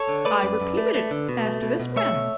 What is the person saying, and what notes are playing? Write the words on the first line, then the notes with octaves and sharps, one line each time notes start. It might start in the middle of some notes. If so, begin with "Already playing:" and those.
'I repeated it, after this man.'
Already playing: A4 C#5
D3
A3 B4 D5
F#2
F#2
A3
A3
D3
B2
A3
B2
B2
A3 C#5 E5
B2